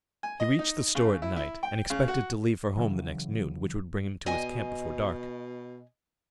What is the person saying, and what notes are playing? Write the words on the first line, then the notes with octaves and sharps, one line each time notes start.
He reached the store at night and expected to leave for home the next noon, which would bring him to his camp before dark.
G#5
D#5
D#4
C#3
E4
E4
G5
C#3
F#4
C#3 E3 F#3
B2 D#5 G#5